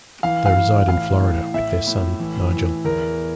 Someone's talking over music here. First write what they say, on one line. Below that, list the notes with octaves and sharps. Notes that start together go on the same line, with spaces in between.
They reside in Florida with their son, Nigel.
E3 F5
F5
E3
A2 F5
A2
A2 E5
A2
E3
E3
E2 A#4